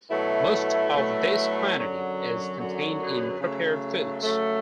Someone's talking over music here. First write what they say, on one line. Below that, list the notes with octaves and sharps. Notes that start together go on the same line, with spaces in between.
Most of this quantity is contained in prepared foods.
B2 F#3 A3 E4
B2 F#3 A3 E4
F#2 D3 F#3
F#2 D3 F#3
C#3 F#3 A3
C#3 F#3 A3